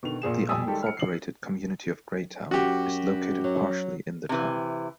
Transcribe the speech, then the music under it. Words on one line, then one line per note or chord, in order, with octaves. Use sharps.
The unincorporated community of Graytown is located partially in the town.
B2 D3 D#3 F7
A#1 A#2 G#4 E7
F2 G3 G#5 D#6 E6
D#3 G3 G#3 G4 A4
F6 C#7
C7 F#7
F#2 F#4 G4
F#3
C3 E3